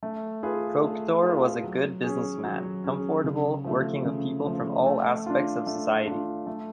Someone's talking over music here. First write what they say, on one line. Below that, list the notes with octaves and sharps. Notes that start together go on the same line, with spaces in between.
Proctor was a good businessman, comfortable working with people from all aspects of society.
A3
F4 G#4 B4
A3
F4 G#4 B4
F#3
C#4 G#4
F#3
C#4 G#4
C#3
F3 A3
C#3
F3 A3
A3
D4 F4
A3
D4 F4
A3